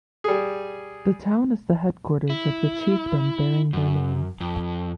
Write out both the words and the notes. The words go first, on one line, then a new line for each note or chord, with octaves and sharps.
The town is the headquarters of the chiefdom bearing their name.
G3 G#4
E4
F#2
F2